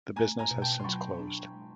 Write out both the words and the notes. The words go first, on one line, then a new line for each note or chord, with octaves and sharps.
The business has since closed.
A3 G#5 A#5
G#5 A#5
B2
G5 A5
C6
F#3 B5 C#6
D4
G#3